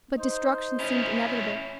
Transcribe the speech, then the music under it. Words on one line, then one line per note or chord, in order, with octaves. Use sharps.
But destruction seemed inevitable.
D#4 C5
C#4 E4